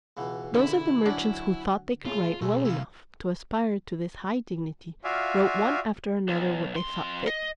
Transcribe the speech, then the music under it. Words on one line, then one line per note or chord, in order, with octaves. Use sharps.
Those of the merchants who thought they could write well enough to aspire to this high dignity, wrote one after another what they thought fit.
C#2 B2 E3
D3 E4
F#3 C#4 D4
A2 C#3 F4
B1 G#3 A3
C3 G3 E4 F5
F4 F#4 D5 E5 F5 G#5
B1
F2 C6
D#5